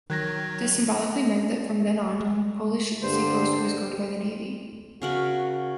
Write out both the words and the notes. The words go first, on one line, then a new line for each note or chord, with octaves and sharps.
This symbolically meant that from then on, Polish seacoast was guarded by the Navy.
D#3 F#3 F#6 G#6 A#6
G#3
G2 D3 C5
C#3 F#4 A#4 B5